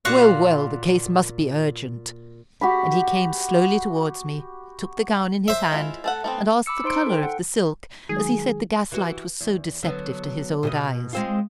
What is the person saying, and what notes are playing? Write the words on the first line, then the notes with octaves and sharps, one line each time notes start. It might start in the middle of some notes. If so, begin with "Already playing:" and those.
"Well, well, the case must be urgent," and he came slowly towards me, took the gown in his hand, and asked the color of the silk, as he said the gas-light was so deceptive to his old eyes.
A#2 F#4 F5 F#5
F#4 G4 B5
C5 E5
G#3 E4 F4
A3 A4 F#5
A3 B3 C4
B5 D6 E6 C#7
D#4 C5 C6 D7
A4 G5
F#5
D#3 F#3 G#3 G#4
E3 F#4
E2
D3 F#3 B3
B2 G4 D#5
G#3 C4 F4